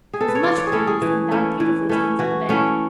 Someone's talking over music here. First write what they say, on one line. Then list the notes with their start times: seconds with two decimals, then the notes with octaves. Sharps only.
She was much pleased, and bowed beautifully to him from the bed.
0.13 G#4
0.21 A4
0.28 B4
0.35 C#5
0.43 E3 D5
0.58 C#5
0.67 G#4
0.72 A3 C#4 E4 A4
0.87 G#4
1.02 E3
1.31 A3 C#4 E4
1.60 E3
1.89 A3 C#4 E4
2.19 E3 F#4
2.49 A3 C#4 E4